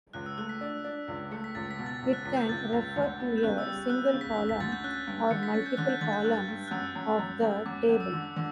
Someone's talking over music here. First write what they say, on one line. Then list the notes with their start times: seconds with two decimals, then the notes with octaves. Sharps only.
It can refer to a single column, or multiple columns of the table.
0.13 C#2 F#6
0.26 E6
0.38 A3 F#6
0.49 B6
0.61 D4
0.84 D4
1.08 C#2
1.31 A3 C#7
1.44 B6
1.55 C#2 A6
1.71 B6
1.79 B2
1.86 A6
2.02 C#2
2.13 F#6
2.25 C#2 B6
2.37 G6
2.49 C#2 A6
2.72 C#2
2.96 D2
3.20 B3
3.38 G6
3.43 C#3 F#6
3.58 E6
3.66 G3
3.90 B3 F#6
4.06 G6
4.13 C#3
4.21 B6
4.37 C#3
4.49 B6
4.60 D2 A6
4.72 G6
4.84 C#4 F#6
5.07 G2
5.30 D3 C#7
5.43 B6
5.54 C#4 A6
5.66 G6
5.77 D3 F#6
5.89 G6
6.01 D3 A6
6.13 G6
6.25 G2 F#6
6.48 G2
6.68 F#6
6.71 F#2 E6
6.95 F#2
7.19 F#2
7.42 F#2
7.66 F#2 D6
7.89 F#2
8.00 E6
8.12 D3 E6
8.36 D3